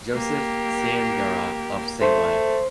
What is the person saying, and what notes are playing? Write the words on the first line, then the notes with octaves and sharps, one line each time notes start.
Joseph Ciangura of Senglea.
A#3 G4
A3 C5